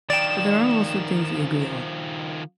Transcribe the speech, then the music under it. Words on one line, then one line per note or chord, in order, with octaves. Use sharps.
But there are also things we agree on.
D#3 F3 D5 G5 E7